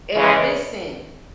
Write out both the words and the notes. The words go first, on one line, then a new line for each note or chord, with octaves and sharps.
And listen,
C#3 E3 G#3